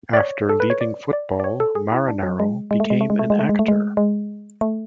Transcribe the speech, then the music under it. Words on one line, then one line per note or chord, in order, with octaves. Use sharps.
After leaving football, Marinaro became an actor.
D5
C#5
A4
B4
C#5
D5
D5
D5
C#5
A4
G#4
E4
D4
F#3
G#3
G#3
A3
G#3
A3
G#3
A3
G#3
A3
G#3
A3
G#3
G#3
A3